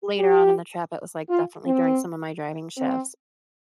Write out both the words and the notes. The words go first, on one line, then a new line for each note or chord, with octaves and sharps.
later on in the trip, it was, like, definitely during some of my driving shifts,
G4
F4
C4
C4